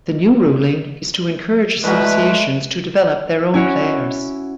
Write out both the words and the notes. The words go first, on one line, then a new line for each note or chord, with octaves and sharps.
The new ruling is to encourage associations to develop their own players.
E2 G#3 A3 F#4 B4 G#5
C#4 E4 F#4 C#5